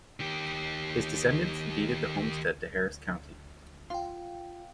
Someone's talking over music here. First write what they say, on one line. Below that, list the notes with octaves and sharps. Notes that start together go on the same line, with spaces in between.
His descendants deeded the homestead to Harris County.
D#3 G4
F4 F5 G5 C6